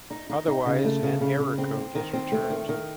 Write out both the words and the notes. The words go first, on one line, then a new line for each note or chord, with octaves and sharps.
Otherwise an error code is returned.
D#4
D#4
D#4
C#3
A3
C#3
C#3
C#3
C4
C4
D#3
C4
A3
D#3
D#3